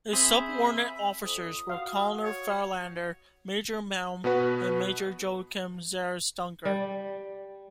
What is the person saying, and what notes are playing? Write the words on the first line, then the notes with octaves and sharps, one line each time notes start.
His subordinate officers were Colonel Fahlander, Major Malm and Major Joachim Zachris Duncker.
C4 G#4 C5 E5 B5
F2 D#6
F#4 F5
C#5
B2 B3 F#4 B4
G3